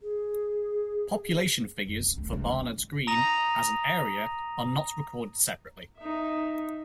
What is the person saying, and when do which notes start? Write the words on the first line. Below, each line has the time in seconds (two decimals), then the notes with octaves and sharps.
Population figures for Barnards Green as an area are not recorded separately.
0.02 G#4
1.87 F#2
1.99 C4
2.18 D2
2.33 C#2
3.07 A#5 D#6 A#6 D#7 F7
5.97 D#4 E5